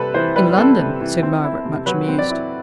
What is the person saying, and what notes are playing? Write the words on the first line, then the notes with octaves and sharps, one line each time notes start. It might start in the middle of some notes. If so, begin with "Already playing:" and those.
'In London,' said Margaret, much amused.
Already playing: C3 G3 C4 A4 B4
E3 C5
G3 B4
C4 A4
C3
E3
C4
E4
C3
F#3 B4
C4
D5
E4